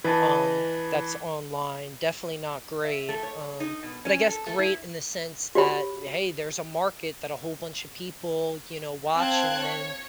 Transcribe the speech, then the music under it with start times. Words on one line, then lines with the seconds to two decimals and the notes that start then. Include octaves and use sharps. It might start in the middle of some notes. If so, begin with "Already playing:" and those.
um, that's online. Definitely not great. Um, but I guess great in the sense that, hey, there's a market that a whole bunch of people, you know, watch and then,
0.04 E3 B4 D#5 A5
2.85 E5
3.09 A3
3.23 C#5
3.60 D#4
3.83 B2
4.05 C#4
4.28 A4
4.47 A3
4.59 E4
5.55 F#4 G4 C#5 B5
9.16 C4 C5 F5 A5 F#6 G#6
9.58 C#5